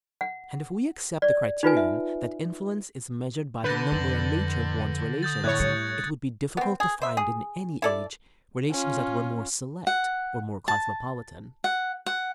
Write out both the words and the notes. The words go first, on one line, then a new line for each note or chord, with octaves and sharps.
And, if we accept the criterion that influence is measured by the number and nature of one's relations, it would be difficult to find in any age relations that were more select or more cosmopolitan.
F#5
D5
D#4 F4 B4 G#5
E5
D3 B4 G6 A6 A#6
F2 A6 F#7
D#6 G6 A6
A2 C#5 F#6 G#6
G3 C#7
B3 C4
G#4
C5 E5
G#4
E4 A4 D5
C#4 F4
F#5
A5
F#5
F#5